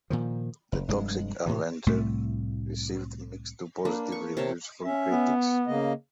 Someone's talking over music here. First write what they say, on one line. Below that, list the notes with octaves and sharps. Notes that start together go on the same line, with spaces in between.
"The Toxic Avenger" received mixed to positive reviews from critics.
A#2 D#3 F3
F#1
F1 G2 G#3
A2 C3 E3
C2 A2 A3
A#3 D4 B4
C#6
C3 A#4 C#5 A5
C#4 E5
B3
C#3 A#3 D#5